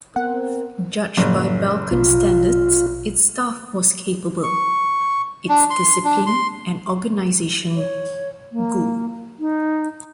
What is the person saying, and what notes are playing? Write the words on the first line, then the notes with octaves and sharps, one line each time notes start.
Judged by Balkan standards, its staff was capable, its discipline and organization goo.
B3 C4 A#4 F#5
F#1 A2 F3 A#3
A#1 B2 D4 F4
C#6
D4
C6
D4
C6
C#5
A#3
D#4